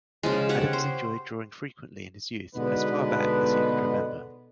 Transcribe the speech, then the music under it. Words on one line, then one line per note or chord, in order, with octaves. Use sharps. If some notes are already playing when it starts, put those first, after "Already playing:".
Adams enjoyed drawing frequently in his youth, as far back as he could remember.
C#3 F3 G#3
G4 C#5 F#5
C5
B2 D3 G#3 B3 D#4 B4